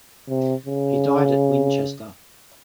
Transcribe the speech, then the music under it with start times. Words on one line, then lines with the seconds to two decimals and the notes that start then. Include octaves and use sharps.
He died at Winchester.
0.29 C3
0.66 C#3